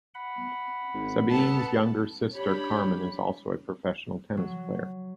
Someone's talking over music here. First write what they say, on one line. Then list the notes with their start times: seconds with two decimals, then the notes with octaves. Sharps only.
Sabine's younger sister, Carmen, is also a professional tennis player.
0.15 F#5 B5
0.94 G#1
1.29 B3 A4 A5
2.34 D4 G4 C#5 B5
4.37 F#3